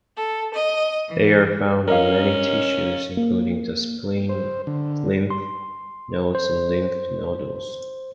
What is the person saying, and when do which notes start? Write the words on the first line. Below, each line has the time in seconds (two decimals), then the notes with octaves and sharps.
They are found in many tissues including the spleen, lymph nodes and lymph nodules.
0.16 A4
0.53 D#5
1.08 E3
1.88 C#4 A#4 D#5 F5
3.17 A#3
4.29 C5
4.67 D3
5.30 C6
6.35 C5